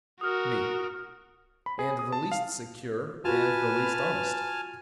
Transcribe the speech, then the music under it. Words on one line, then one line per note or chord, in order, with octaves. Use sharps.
ME: And the least secure and the least honest.
F#4 A#4 D#6 F6
B5
G#4
D#6
A5
F5
F4 F#4 B4 G#5 A5 F6